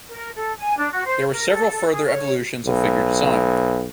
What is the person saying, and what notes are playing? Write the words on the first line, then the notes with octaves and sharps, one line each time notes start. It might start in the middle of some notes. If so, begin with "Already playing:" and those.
There were several further evolutions of figure design.
A#4
A4
G#5
D4
F#4
C5
A#4
A4
G#4
C#5
B1